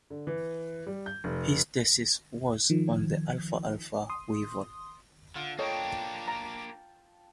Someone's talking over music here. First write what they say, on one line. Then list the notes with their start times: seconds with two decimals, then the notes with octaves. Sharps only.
His thesis was on the alfalfa weevil.
0.10 D3
0.27 E3
0.87 G3
1.06 G6
1.24 F1
2.70 D#3 F3
4.10 C6 D#6
5.36 D3 F4
5.59 A#3 D4 A4 C#5 D#5 G5
6.28 A5 A#5